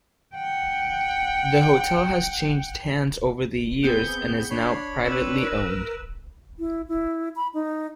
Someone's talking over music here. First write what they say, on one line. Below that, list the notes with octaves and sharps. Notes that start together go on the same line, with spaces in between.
The hotel has changed hands over the years and is now privately owned.
F#5 G5
B3 C4 G#4 G6
D4 C#5 D5 B5 C7
C4 B4 E6
A#4
E4
E4
B5
D#4